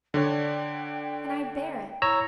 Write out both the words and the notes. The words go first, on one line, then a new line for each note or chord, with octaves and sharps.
And I bear it!
D3 D4 C#5 G5
E4 C#5 A#5 E6